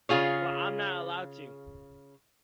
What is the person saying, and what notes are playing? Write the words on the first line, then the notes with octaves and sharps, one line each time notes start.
But I'm not allowed to.
C#3 F4 G#4 C#5